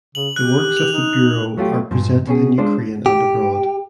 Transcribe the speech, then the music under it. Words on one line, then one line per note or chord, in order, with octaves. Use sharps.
The works of the bureau are presented in Ukraine and abroad.
C#3 F#7
G4 F#6
F7
D#4
F#3 A3 F4 G4
G2 A#2 F3
B2 C#4 G#4
G#3 D4 F4 C5
G4